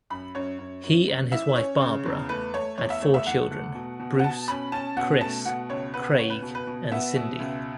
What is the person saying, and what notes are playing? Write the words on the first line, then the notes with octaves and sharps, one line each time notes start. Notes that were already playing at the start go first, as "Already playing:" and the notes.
He and his wife Barbara had four children, Bruce, Chris, Craig and Cindy.
F#2 B5
F#2 C#5
F#2
F#2
F#2
E3 E5
C#4 C#5
C#3
E2
A3 B4
A3 C#5
E2 C#5
E5
A3 C#5
E5
E2 F#5
A3
B2
B2
F#5
B2 A5
C#4 B5
C#4 A5
B2 F#5
A3 A5
B2 F#5
C#2 C#5
B3 B4
C#2 C#5
B4
B2
B4
B2
B3 E5
B2
C#2